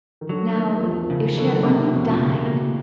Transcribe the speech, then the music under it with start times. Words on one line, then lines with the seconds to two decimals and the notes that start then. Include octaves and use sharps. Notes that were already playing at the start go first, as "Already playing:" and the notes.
Now--if she had only died!
0.21 D#3
0.29 D3 F#3
0.56 D#3 A#3
0.83 E2 F3
1.01 F3
1.10 C#3
1.19 D#3
1.37 D3 F#3
1.45 D#3
1.55 D3
1.63 C3 A#3
1.91 E2 B2
2.09 A#2
2.18 C#3
2.27 B2
2.45 A2 A#3